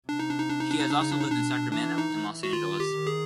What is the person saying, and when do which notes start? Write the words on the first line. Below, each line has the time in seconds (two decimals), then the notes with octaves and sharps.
She has also lived in Sacramento and Los Angeles.
0.08 C3 D4
0.19 D#4
0.29 D4
0.39 D#4
0.49 D4
0.60 D#4
0.71 D4
0.80 D#4
0.90 C#3 D4
1.01 D#4
1.11 D4
1.21 D#4
1.31 B2 D4
1.71 E3 D4
1.98 D#4
2.12 E3
2.43 F#4
2.52 D#3 F4
2.80 G4
2.93 D#3
3.07 G#4